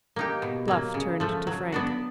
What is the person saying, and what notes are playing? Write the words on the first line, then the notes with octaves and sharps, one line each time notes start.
Bluff turned to Frank.
A#3 D#4 G4
B2
F#3 A#3
C#3
F3 A3
F#3
B3 D4 F#4